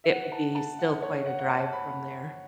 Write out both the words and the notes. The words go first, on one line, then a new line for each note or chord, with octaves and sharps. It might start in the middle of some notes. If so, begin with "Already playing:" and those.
it would be still quite a drive from there.
E5
F#5
A5
A5
F#5
C#5
F#5
F#5
A5
B5